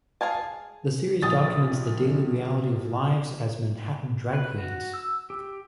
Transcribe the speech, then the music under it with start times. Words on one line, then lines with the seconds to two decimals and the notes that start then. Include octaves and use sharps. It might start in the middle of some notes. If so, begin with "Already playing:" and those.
The series documents the daily reality of lives as Manhattan drag queens.
0.21 G#4 A#4 F5 G#5 A5
1.22 A#1 D#6 A6
4.33 B4
4.58 F#4
4.94 E6
5.30 G4